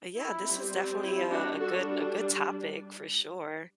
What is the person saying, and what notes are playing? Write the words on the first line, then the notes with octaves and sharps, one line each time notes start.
Uh, yeah, this was definitely a a good a good topic for sure.
E4
G3 C4
E4
D4 F#4
G3 D4 F#4 A4